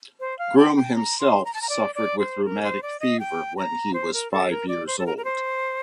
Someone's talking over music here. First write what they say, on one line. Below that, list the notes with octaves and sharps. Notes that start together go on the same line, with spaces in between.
Groom himself suffered with rheumatic fever when he was five years old.
C5
F5
G5
G5
A#5
C6
A#5
A5
A#5
D5
D5
C5
A#4
C5
D5
D#5
G5
A#5
C5
A#4
A4
A#4
D5
C5
A4
A#4
A#4
C5